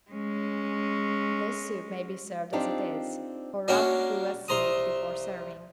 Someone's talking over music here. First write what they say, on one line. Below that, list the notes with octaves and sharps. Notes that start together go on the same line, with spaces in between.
This soup may be served as it is or rubbed through a sieve before serving.
G#3 C#4
C4 D4 D#4 F4 G4 D5
A#3 C#4 D4 F#4
C2 C5 A#5 D#6